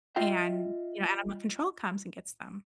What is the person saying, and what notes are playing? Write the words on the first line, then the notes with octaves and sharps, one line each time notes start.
and, you know, animal control comes and gets them.
F4 D#5 E5 G5